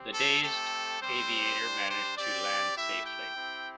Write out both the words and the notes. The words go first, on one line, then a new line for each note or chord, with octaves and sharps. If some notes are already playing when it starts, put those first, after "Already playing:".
The dazed aviator managed to land safely.
Already playing: G3 C4 G4
A4
A3 C4 G4 A4
G3 C4 G4 C5
G3 D4 G4
C5
C4 G4 D5
A3 E4 G4 E5
G5
C4 E4 G4